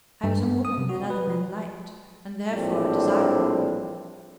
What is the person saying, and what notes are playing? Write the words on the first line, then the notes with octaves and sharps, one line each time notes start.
I was a woman that other men liked, and therefore a desirable woman.
G2
B3
D#6
C3
F#4
B4
F3
A#1 A2 G3 C4 D4